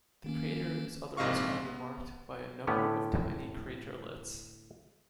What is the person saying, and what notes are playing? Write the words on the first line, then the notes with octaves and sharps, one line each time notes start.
The crater is otherwise only marked by a number of tiny craterlets.
D#3 A#3 C#4
A#1 G#2 C3 D#5 F5 C#6
B3
A2 D3 B3 C#4 G4